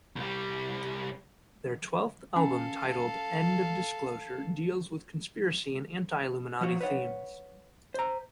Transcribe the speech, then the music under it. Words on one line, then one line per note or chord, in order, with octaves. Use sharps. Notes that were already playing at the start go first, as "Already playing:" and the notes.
Their twelfth album titled End of Disclosure deals with conspiracy and anti-Illuminati themes.
C2 G3
C#4 A4 F5 G#5
F3 F#4
B4 C#5 F#5
C5 A#5